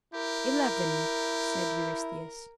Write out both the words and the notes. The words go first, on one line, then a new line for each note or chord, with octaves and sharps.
"Eleven," said Eurystheus.
E4 G4 A#4